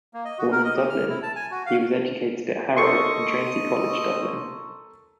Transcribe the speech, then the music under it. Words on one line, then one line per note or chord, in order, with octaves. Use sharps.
Born in Dublin, he was educated at Harrow and Trinity College Dublin.
A#3
D#5
F#4
A#4
D#5
G4
F6
E4
A5
G#5
F#4
F5
A4 A#4 D#5 C6 C#6